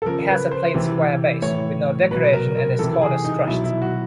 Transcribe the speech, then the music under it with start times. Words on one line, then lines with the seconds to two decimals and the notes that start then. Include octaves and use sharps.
It has a plain square base, with no decoration and its corners crushed.
0.02 A4
0.05 C#3 F3 A#4
0.28 B4
0.51 C5
0.74 C3 E3
1.42 A2 E3 C#5
2.11 B2 B4
2.14 F#3
2.33 A#4
2.57 A#4
2.79 C3 E3 A4
3.02 G#4
3.24 D#4
3.47 B2 F#3 E4
3.64 E4
3.82 F#4